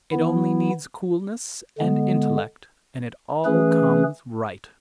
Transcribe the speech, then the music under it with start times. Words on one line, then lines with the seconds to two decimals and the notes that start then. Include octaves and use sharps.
It only needs coolness and intellect, and it all comes right.
0.12 E3 B3 E4
1.78 D3 G#3 B3
3.45 E3 A3 C#4 G#4 B4